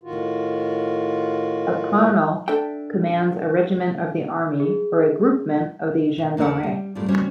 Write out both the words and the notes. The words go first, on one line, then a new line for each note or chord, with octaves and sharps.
A "colonel" commands a regiment of the army or a "groupement" of the Gendarmerie.
A2 D#3 F4 F#4
D4 A4 E5 G5
G#4
B2
E2 A#3 D4 A#4 E5 F#5
G3
F#2 A2 G3 C4 F4
G3 C#4 F#4 C5 C#5 E5